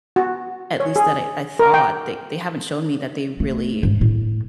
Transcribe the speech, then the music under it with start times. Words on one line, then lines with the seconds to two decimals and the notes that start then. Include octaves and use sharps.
at least that I I thought, they they haven't shown me that they really,
0.16 F#4
0.80 C#5
0.96 G#4
1.59 A#4
1.74 G5
3.40 A3
3.83 G#2
4.01 A2